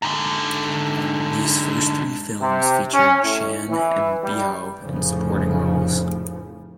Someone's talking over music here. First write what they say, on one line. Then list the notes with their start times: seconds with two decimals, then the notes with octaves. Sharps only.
These first three films featured Chan and Biao in supporting roles.
0.02 G#2 D3
2.41 C3
2.94 C#4
3.24 A2
3.70 E3
4.24 G3
4.82 F1 F2 A2 C#3 F3